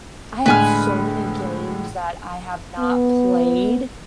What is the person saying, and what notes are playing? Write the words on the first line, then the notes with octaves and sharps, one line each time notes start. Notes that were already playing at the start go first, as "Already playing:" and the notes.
I have so many games that I have not played.
A2 D3 G#3 B4 G#5 F6
B3